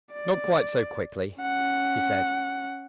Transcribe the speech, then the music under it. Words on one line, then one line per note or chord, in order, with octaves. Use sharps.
"Not quite so quickly," he said.
D5
C#4 F#5